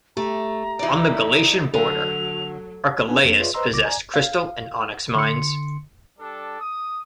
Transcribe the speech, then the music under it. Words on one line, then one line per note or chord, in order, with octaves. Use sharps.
On the Galatian border, Archelaus possessed crystal and onyx mines.
A3 G4 A#5
E3 D#4 E4 D5
D3 F#3 A4 F7
B3 D4 D#4 B4 G#5
F2 A#3 D4
F4 G#4 B4 C#5 D5 E5
B4 C5 D#5 A#5 C6 E6
C2 C#3 D6 A#6
D5 G#5 A#5 G#6
F5
D3 C6 C#7
G3 D4 A4 D5
D#6